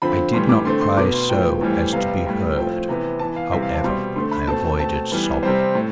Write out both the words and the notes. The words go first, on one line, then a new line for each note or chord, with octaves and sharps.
I did not cry so as to be heard, however; I avoided sobbing.
D3 F3 C4 B5
A2 E3 G3 C6
D6
D3 A3 C4 C6
C6
B2 B3 D6
C6
A2 F3 B3 G5
A2 E3 G3 C4
C3 G3 B3 F5
A2 G3 B3
A2 F3 A3 C4 G5
C3 E3 B3
E3 B3 A5
F5
C3 E3 G3 C4 E5
F5
A5
B2 G3 C4 C6
D3 A3 C4 C6
B5
B2 A3 C4 A5
B2 A3 C4 A5
E3 G3 B3
C3 G3 C4 C5
A2